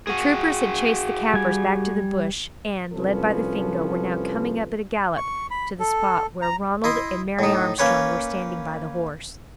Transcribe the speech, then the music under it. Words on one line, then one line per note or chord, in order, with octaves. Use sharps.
The troopers had chased the Kaffirs back to the bush, and, led by the Fingo, were now coming up at a gallop to the spot where Ronald and Mary Armstrong were standing by the horse.
F#4 G#4
G3 G#5
C2 F3 C#4 A4 B4
C#6
B5
A4
A#5
E4 D#5 C6
A2 D#4
A#3 C#4 B4 C#5 G5